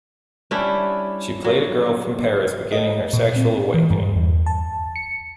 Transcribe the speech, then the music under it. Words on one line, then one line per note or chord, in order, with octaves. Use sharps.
She played a girl from Paris beginning her sexual awakening.
G3 C#4 D4 E4
F#3
D#5
A#2
C4
E3
G2
E2
A5
C#7